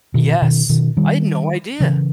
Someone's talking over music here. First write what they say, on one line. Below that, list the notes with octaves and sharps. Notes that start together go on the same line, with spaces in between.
Yes, I'd no idea.
B2 D#3
B2 D#3
B2 D#3
D#3 G3
C#3 E3